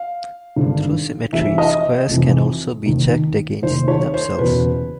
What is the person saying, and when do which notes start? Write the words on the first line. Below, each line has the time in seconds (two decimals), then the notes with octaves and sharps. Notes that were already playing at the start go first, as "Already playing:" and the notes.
Through symmetry squares can also be checked against themselves.
Already playing: F5
0.56 G#1 G2 D3
1.33 F1 F2 C3 E3 E5
1.58 D#5
2.09 F1 F2 C3 E3
2.86 F1 D#2 D#3
3.62 F1 D#2 D#3 C5
3.88 C#5
4.14 C5
4.39 F#1 E2 B2 B4